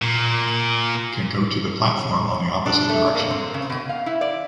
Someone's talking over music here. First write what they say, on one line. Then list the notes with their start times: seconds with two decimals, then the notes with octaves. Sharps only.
Can go to the platform on the opposite direction.
0.02 A#2
2.66 D4
2.89 A3
3.15 A#3
3.30 C4
3.54 C#3
3.70 B2
3.89 F5
4.06 E4
4.21 D5